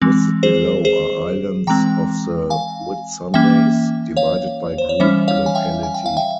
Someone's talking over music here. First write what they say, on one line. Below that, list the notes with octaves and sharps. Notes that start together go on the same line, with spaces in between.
Listed below are islands of The Whitsundays, divided by group locality.
E3 G#3 C4
G#4 C5
G#4 C5
E3 G#3 C4 G5 A#5
F5 G#5
E3 A#3 C#4 E5 G5
C#5 F5
C5
C#5
E3 G3 C#4 C5 E5
C#5 F5
G#5
E5 G5
G#5
G5
F5
E5 G5